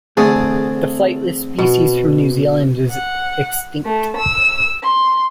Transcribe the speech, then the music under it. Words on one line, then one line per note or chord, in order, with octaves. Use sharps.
A flightless species from New Zealand is extinct.
E2 D3 A3 C4 G#4
B2
F#5
A3
E6
C6